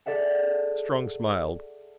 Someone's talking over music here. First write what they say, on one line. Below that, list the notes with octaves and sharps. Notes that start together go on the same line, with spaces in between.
Strong smiled.
G#4 A4 D5 E5 F#5